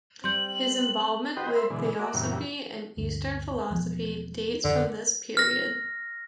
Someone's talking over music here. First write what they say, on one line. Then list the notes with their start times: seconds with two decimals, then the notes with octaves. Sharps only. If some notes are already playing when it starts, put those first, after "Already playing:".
His involvement with theosophy and Eastern philosophy dates from this period.
0.24 G3 C4 C6 G6 F#7
1.37 F#4 G4 B4 C5 D#5 G5
1.55 C5 E5 B5 C6
1.70 B2 D3 E3 G#3
1.99 A#3 F#4 D5
2.14 F#2 A#2 C#3 E3 G3
2.97 D2 G2
3.70 E1 F3 B3
4.64 F2 D3 D#3
5.37 F6 A#6